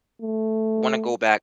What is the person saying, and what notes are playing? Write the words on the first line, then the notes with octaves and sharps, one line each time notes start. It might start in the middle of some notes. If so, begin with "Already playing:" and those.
wanna go back
A3